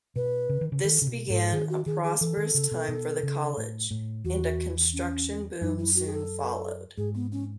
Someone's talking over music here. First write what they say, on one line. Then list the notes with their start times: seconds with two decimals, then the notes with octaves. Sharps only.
This began a prosperous time for the College, and a construction boom soon followed.
0.16 B2 B4
0.49 C#3
0.61 D#3
0.72 C#3
0.84 D#3 A4
1.02 C#3
1.07 B2
1.30 G#2 A4
1.52 D#3 G#4
1.69 F#4
1.86 D#3 G#4
2.03 G#4
2.20 E3 A4
2.37 D#3
2.54 C#3
2.71 B2
2.88 B2
3.23 C#3
3.57 A2
3.91 A2
4.24 E2 F#4
4.93 C#4
5.61 F#2 D#4
5.78 E4
5.95 F#4
6.07 G#4
6.13 A4
6.97 G#2 G#4
7.15 B3
7.32 C#4